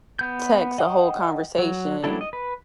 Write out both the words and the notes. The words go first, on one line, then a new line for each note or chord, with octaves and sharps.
text a whole conversation
B3 G6
D#5 F#5 G5 D#6
F#3
F#3 G3 D4 E4 A4
D#5
B4